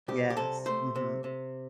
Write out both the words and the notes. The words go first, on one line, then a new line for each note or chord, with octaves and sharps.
Yes, mhm.
C2 G4
G4
C3 A4
A3 C5
C3
C3